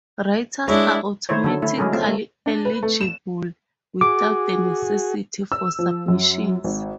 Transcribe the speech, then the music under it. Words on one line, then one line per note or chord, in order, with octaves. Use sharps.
Writers are automatically eligible without the necessity for submissions.
G#3 D4 E4 C#5
D#3 D#4 E4 C5 C#5
D3 F#3 A4
A3 E4
F#3 G#3 A3 C#4 G#4 A#4
A3 C4 F4
A3 A#3
D4
B4
A3
E7
F#4 G#4 D6
E6
F3
F#2
G#1